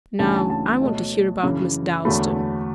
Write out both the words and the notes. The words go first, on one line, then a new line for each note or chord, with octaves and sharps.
Now I want to hear about Miss Dalstan.
D2 C#3 E3 A3 A5
G#5
A5
A5
B2 F#3 A3
F#2 C#3 E3
E2 D3 F#3 A3 B5